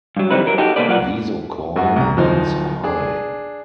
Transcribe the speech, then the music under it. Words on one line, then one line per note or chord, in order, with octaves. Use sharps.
Visokoi means "high".
G2 F#3
D3 E3 G3 C4 D#4 B4
F#3 A#4
D#4 F#4 G4 A4
B2 F3 A#3 A4 B4 D5
F#3 F4 A#4 D5 F#5
F#2 F#4
C2 A#5
D1 F3 D#4 C5
D4 G#4